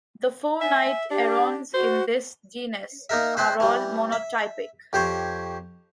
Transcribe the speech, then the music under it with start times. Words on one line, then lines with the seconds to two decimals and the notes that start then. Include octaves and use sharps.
The four night herons in this genus are all monotypic.
0.61 E5 G#5
1.11 D4 G4
1.74 F#4 C5
3.09 A#3 D#4 A#4 E5
3.37 C4 E4 B4 C5
3.60 E3 G3
4.12 E5
4.93 F2 G4 C5 C#5